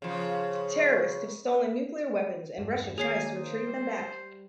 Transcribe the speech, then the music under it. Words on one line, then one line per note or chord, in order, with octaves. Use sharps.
Terrorists have stolen nuclear weapons and Russia tries to retrieve them back.
C#3 F3
E2 G2
D#3 A#3 G#4 C#5 G#5 D#6 C7
C5
G3